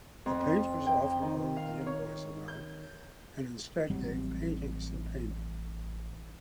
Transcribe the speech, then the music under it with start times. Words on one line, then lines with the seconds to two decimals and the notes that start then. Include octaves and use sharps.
The painters often owed the invoice amount and instead gave paintings in payment.
0.26 F2
0.86 G5
1.22 D#3
1.57 F5
1.86 C#5
2.48 G6
3.90 A1 F#3 G3 C4